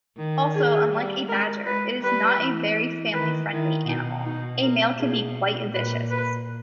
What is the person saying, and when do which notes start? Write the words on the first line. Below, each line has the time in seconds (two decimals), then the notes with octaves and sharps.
Also, unlike a badger, it is not a very family-friendly animal, a male can be quite vicious.
0.17 D#3
0.55 G#4
0.91 G3
1.28 G#3 A#4
1.66 G#3 B4
2.02 G3 B4
2.40 E3
3.13 D#3 B4
3.50 D#3 E4
3.87 B2 D#4
4.26 D#4
4.62 A#4
4.99 B2 G#4
5.73 A#2 B4
6.11 B4